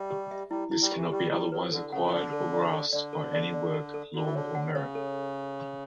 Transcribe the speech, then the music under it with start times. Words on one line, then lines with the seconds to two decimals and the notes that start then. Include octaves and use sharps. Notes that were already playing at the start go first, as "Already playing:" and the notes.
This cannot be otherwise acquired or grasped by any work, law, or merit.
Already playing: G3 E5
0.11 G4
0.31 E5
0.51 G3 E4
0.71 E4
0.82 G3
0.92 E3 G4
1.12 G3 G4
1.32 G3 E4
1.52 F#3 B4
1.72 D3 A4
1.92 C#3 F#5
2.06 E3
2.12 D3 D5
2.33 A4
2.53 D5
2.73 A4
2.93 D3 D5
3.13 A4
3.34 D5
3.54 D5
3.74 A4
3.94 A4
4.14 D3 F#4
4.25 E3
4.35 D3 C#5
4.55 F#5
4.75 C#3 C#5
4.95 A4